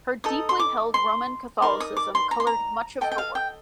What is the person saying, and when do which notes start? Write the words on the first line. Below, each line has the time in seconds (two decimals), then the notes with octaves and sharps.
Her deeply held Roman Catholicism coloured much of her work.
0.24 D#4 A4 D#6
0.49 C6
0.59 D6
0.94 C6
1.62 D#4 A#4 D5 C6
1.80 D#6
1.97 D6
2.15 C6
2.31 A#5
2.40 C6
2.47 A#5
3.01 A4 D#5 G5
3.12 G5
3.18 F5
3.35 G5